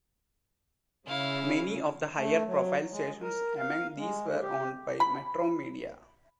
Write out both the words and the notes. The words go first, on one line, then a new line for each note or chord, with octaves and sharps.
Many of the higher-profile stations among these were owned by Metromedia.
C#3 E4 F5
A3
F#3
G#3
A#4
F5
G#3
D3
G4
B5